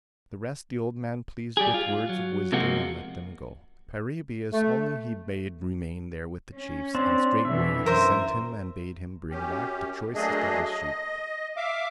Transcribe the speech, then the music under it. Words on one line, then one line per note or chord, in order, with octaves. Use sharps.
The rest the old man pleased with words of wisdom and let them go; Paraebius only he bade remain there with the chiefs; and straightway he sent him and bade him bring back the choicest of his sheep.
G3 G4 G#4
F4
F#3
C3 F3 G#3 A#3 F#4
A3
C#4
C4 D4
B2 D3 E3 E5
F#2 A#4 C5 E5 C6
F#2 C#4 G4
F#3 A3 A#3 D4 G#4 D#5
D#5
E5 F5 D6